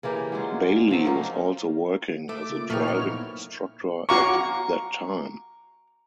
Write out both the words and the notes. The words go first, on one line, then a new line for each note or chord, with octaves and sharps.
Bailey was also working as a driving instructor at that time.
C#3 E3 A#3 G4
F#3 G#3 C#4 F4
F3 F#3
A#3 C#4 D#4 F4
A3 D6
C#3 A#3 F4
A#2 F3 F#3 A3 A#3 C#5 G5 F6
B3 D#4 E4
F#4 F5 A#5 C#6 D6